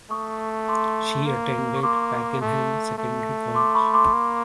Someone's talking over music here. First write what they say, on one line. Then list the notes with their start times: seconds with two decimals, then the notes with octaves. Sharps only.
She attended Pakenham Secondary College.
0.10 A3 C#6 D#6
0.68 C6 D6
1.26 A#3
1.75 C#6
1.83 A#3 C6 D6
2.41 A3
2.98 A3
3.55 C6 D6
3.75 B5 C#6
3.94 C6 D6
4.13 A#3